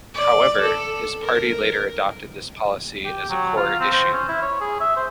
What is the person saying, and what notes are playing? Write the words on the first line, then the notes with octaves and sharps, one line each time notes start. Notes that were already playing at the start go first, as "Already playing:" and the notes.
However, his party later adopted this policy as a core issue.
D5
A4
A#4
G4
F#3
F4
C4
C5
C#4
E4
C#5
G#4
E5
C5